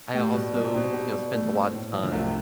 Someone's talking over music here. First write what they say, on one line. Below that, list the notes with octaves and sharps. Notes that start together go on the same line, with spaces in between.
I also, you know, spent a lotta time,
A2 G4
B2 G3
B2 G3
C3
B2 C4
G4
G3
A3
C4
A2
F3
D3
C2 C3 A3